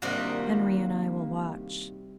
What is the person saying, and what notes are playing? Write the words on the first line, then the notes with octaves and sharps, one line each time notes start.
Henri and I will watch.
C3 D#3 G3 A#3 D4 F4 F#4